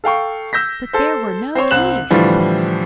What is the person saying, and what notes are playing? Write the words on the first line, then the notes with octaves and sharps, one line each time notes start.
But there were no geese!
A4 F5 G5 C#6
E6 G6 A#6 B6
A4 C5
C4 C5 C#5
C2 C4 F#6 E7 F#7
A2 D3 E3 F3 G3